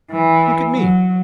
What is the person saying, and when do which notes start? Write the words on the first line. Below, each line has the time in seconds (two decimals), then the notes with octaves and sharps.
Look at me.
0.11 E3
0.71 F#3